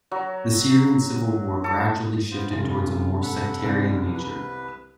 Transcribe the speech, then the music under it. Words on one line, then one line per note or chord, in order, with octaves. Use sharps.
The Syrian civil war gradually shifted towards a more sectarian nature.
F#3
A4
B3 F4 C5
F1 F4
A4 F#5 B5
C2 G3 G#3
B4